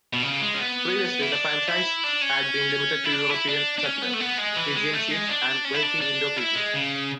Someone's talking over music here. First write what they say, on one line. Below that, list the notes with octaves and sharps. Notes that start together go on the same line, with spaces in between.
Previously, the franchise had been limited to European settlers, Fijian chiefs, and wealthy Indo-Fijians.
B2
C#3
G#3
C#4
B3
E4
D4
E4
D4
C#4
E4
D4
E4
D4
D4
C#4
B3
A3
B3
G#3
E3
G#3
A3
G#3
D4
C#4
E4
D4
D4
E4
G#3
C#3